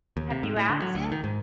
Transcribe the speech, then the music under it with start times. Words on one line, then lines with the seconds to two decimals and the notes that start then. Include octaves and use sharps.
Have you asked him?
0.17 D#2
0.30 C3
0.43 G#2
0.56 A2
0.69 D3
0.82 F#3
0.95 D2
1.12 D#3
1.24 G#2